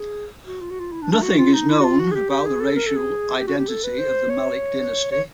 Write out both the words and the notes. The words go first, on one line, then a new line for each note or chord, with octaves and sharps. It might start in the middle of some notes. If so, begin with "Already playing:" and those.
Nothing is known about the racial identity of the Malik dynasty.
Already playing: G#4
F#4
F4
F#4
F4
E4
D4
D4
F#4
F4
D#4
E4
F#4
F4
F#4
G#4
G4
G4
G#4
A4
A#4
A4
G#4
G4
F#4
G4
A4
B4
C5
C#5
C#5